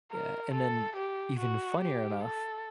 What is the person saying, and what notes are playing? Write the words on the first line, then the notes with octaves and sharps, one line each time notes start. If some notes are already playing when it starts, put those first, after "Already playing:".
Yeah, and then even funnier enough,
A#4
A4
G4
F#4
G4
A4